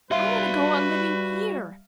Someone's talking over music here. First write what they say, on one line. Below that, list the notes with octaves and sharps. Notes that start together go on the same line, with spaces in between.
I want to go on living HERE.
G3 F#4 B4 E5 F5 C6